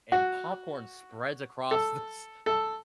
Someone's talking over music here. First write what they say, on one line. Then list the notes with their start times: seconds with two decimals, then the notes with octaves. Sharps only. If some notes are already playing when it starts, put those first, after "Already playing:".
and popcorn spreads across this
0.12 F#4
1.71 A4
2.46 A4